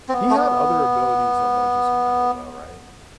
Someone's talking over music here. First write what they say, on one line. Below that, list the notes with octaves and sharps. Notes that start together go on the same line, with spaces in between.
He had other abilities that weren't just metal though, right?
C4
B3
A3
B3